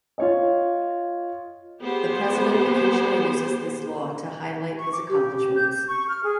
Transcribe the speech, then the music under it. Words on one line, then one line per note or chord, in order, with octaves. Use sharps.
The president occasionally uses this law to highlight his accomplishments.
F4 C#5 D#5
B3 G4 G#4 C5
C#6
D6
G4
G6
G6
C#6
F6
G#4